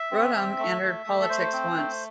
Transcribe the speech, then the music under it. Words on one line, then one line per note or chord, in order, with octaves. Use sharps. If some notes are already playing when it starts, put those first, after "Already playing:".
Rodham entered politics once.
Already playing: E5
C4
C4
A3
A3
A3
A4
A3 C5
C4
A3